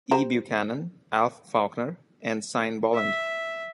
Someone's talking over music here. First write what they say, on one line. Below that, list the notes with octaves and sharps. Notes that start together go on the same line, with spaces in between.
E Buchanan, Alf Faulkner and Sine Boland.
G4 C5 A#5
E5